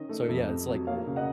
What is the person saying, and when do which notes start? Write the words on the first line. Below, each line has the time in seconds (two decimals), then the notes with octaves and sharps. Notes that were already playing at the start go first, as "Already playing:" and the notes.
so, yeah, it's, like, eh,
Already playing: D#3 C#4 D#5
0.09 A3
0.28 F2
0.48 C3
0.68 F#3
0.87 A#3 C#5 F5
1.07 C#3
1.16 D#5 F#5